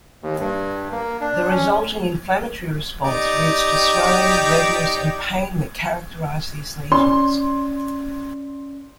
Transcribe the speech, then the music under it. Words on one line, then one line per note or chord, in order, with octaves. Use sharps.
The resulting inflammatory response leads to swelling, redness, and pain that characterize these lesions.
D#2
G2
A#3
D4
C#4
D#4 G4 D5
C#4 D5 C6